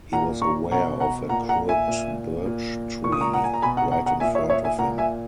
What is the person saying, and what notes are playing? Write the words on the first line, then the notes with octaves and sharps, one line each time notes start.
He was aware of a crooked birch tree right in front of him.
A#2 F#5 A#5
A#5 C#6
B2 F#5 A#5
F#5 A#5
A#2 F#5 A#5
F#5 A#5
E5 G#5
A#2
A#2
A#2 C#6
D#6
A#5 C#6
F#5 A#5
G#5
A#5
B2 G#5 B5
F#5 A#5
F#5 A#5
F#5 A#5
A#2 E5 G#5
C#5 E5
C#5 E5
E5 G#5
A#2 F#5 A#5
E5 G#5